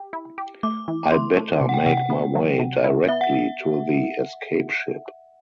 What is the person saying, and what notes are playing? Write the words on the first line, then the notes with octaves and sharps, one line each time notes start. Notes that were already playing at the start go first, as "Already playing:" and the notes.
I better make my way directly to the escape ship!
Already playing: G4
E4
G4
A3 D6
E3
E4 C6
A3
C3
F#5
G5
C3 F#5
F#5
B3
F#3
C3
E4
B3 E5
F#5